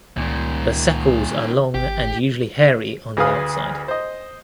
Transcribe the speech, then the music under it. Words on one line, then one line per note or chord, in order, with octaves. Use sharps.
The sepals are long and usually hairy on the outside.
C#2 A#2 D#3
G#1 G4
D2 G#4 B4 F5 D#6
C5 D#5